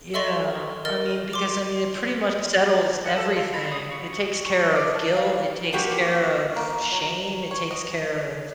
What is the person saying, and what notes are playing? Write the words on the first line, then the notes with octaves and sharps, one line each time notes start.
Yeah, I mean, because I mean, it pretty much settles everything. It takes care of guilt. It takes care of shame. It takes care of
A4 D#5 E5 C6 C#6 A6
A#4 D#5 F6 A6
C6 D6
F#5
A4
F4
B5
D#6
F#4
F#4
C#6
D5
A5
F5
F5
F3 G3 A#3 F#4 G4
A#3
F#3
C#5
D#5